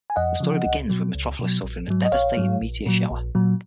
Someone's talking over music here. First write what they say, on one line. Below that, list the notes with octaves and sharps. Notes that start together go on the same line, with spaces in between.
The story begins with Metropolis suffering a devastating meteor shower.
G#5
F2 D#5 F#5
C#3 F3
C#2
B2 F#3
C#2
B2 F#3
A#1
G#2 F#3
D#5
A#1 C#5 F5
G#2 F#3
A#1
A#2 F#3
A#1
A#2 F#3